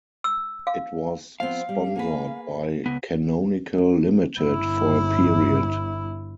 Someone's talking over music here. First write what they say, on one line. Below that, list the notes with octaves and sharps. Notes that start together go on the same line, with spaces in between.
It was sponsored by Canonical Limited, for a period.
E6
F5
F3 B3 C4 F5
G3
A#3 G#4 B4
C#2 B3
G1 E4